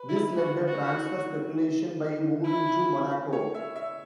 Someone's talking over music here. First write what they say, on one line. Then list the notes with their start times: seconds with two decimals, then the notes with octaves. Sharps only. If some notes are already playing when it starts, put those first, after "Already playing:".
This led a transfer speculation by moving to Monaco.
Already playing: B4
0.08 E4
0.38 F#4
0.68 F#4
2.44 E4
3.33 C#5
3.54 E5
3.76 E5